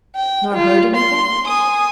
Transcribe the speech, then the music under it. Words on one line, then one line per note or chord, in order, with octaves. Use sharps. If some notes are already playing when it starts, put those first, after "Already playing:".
"Nor heard anything?"
G5
F4
C6
G#5 D#6